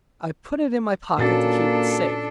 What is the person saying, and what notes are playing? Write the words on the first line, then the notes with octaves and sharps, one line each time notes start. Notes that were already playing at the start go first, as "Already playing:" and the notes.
I put it in my pocket to keep it safe.
A#2 A#3 C#4 D4 F#4 A4 A6